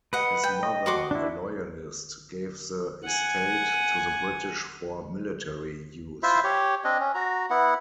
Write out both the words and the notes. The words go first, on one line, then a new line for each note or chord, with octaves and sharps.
His mother, a loyalist, gave the estate to the British for military use.
B4 D#5 F#5
G5
D#5
F#4 C6 D6
D4 E4
F#5 G#5
E4 F4 C5 E5
G4 C#5
C4 D4 D#5
C#4
F#4 A#5
B3 E4 F#5